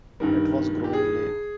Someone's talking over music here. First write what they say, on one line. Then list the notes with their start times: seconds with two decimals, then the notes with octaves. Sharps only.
It was growing late.
0.20 G2 D#3 G3 A#4
0.84 G4
0.93 G#4